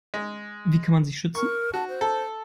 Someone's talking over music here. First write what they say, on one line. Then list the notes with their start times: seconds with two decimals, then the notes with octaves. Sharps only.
Wie kann man sich schützen?
0.14 G#3
1.35 A#4 C#6
1.74 F#4 A5
1.89 C5
2.01 A4